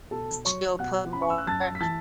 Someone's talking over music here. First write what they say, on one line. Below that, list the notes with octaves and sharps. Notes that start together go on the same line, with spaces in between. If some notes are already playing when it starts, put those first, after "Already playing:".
she'll put more
B2 A4 A5
F#3 C#5 C#6
B2 F#5 F#6
C#4 B5
C#6
E6
F#6
F#2 A5 A6
B6
E3 A5 A6